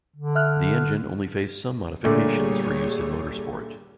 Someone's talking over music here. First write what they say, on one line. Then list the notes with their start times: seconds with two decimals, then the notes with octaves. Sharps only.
The engine only faced some modifications for use in motorsport.
0.16 D3
0.35 E5 F6 F#6
2.04 A#2 D3 G3 A3 G#4 C#5